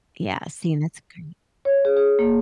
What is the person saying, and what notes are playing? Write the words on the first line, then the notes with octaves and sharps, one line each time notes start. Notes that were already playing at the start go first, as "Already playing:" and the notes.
Yeah, see? And that's great.
C#5
G#4
G#4
A#3